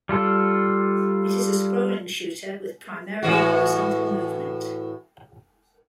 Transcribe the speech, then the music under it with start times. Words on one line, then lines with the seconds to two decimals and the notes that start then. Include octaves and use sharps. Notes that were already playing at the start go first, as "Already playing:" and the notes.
It is a scrolling shooter with primarily horizontal movement.
0.09 G3 F4 A4
3.23 A2 E3 F#4